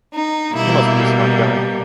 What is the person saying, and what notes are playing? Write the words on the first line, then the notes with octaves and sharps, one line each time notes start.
You must be a smart guy!
D#4
B2 G3 A#3 E4